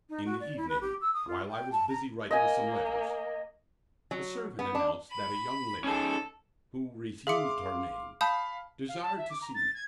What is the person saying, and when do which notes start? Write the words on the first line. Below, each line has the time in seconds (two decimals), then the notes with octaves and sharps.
In the evening, while I was busy writing some letters, the servant announced that a young lady, who refused her name, desired to see me.
0.10 D#4
0.25 F#4
0.40 D5
0.57 E4
0.69 B4
0.81 G4
1.01 E6
1.14 D#6
1.28 F4
1.49 G5
1.72 A5
1.89 A#5
2.31 A#3 D#5 G#5
4.11 F#3
4.59 B3
4.75 D4
5.11 B5
5.84 C#4 D#4 G#4 A4
7.27 G#4 E5 F5 C6 D6 C#7
8.21 F5 A5 B5 D#6 G6
8.88 F5
9.02 A5
9.17 E5
9.30 D6
9.42 A#5
9.54 A6
9.74 G#6